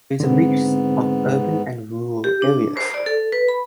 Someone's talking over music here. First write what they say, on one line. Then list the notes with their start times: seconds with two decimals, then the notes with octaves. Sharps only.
There is a mix of urban and rural areas.
0.20 G#2 D3 B3 C4
2.24 G4
2.42 D4
2.77 C5
2.94 D5
3.06 A4
3.32 B4
3.48 B5